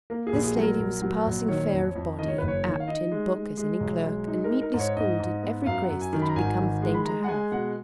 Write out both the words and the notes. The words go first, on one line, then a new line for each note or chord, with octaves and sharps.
This lady was passing fair of body, apt in book as any clerk, and meetly schooled in every grace that it becometh dame to have.
A#3 A#4
G#4
A#1
G#4
F#3
A#4
A#1
F#3
A#1
D#3 C#5
F2
F2
D#3 D#5
C#5
F#1 B4
C#5
D#3
F5
D#4 D#5
G#3
G#3
G#3
B1
G#3
D#4
A#4
D#4
A#4
G#2
C#5
G#2 D#5
G#2
B3
F#2 F5
F#5
F#2
G#5
D#3
B5
A#5
G#1 G#5
D#3
G#3
B5
G#3 A#5
F#5
G#3 G#5
B2 F#5